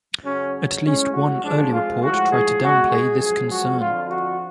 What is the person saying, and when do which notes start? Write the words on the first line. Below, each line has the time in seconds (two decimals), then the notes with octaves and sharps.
At least one early report tried to downplay this concern.
0.23 F#2 C#3 F#3 C#4
0.83 A2 G#3 C#4
1.13 F#4
1.42 F2 F3 G#3 D4
1.72 F4
2.02 A2 F3 G#3 F#4
2.31 G#4
2.61 B2 G#3 F#4
2.91 G#4
3.20 F#2 F3 G#3 G#4
3.50 F#4
3.80 F2 D3 F3 F4
4.10 F#4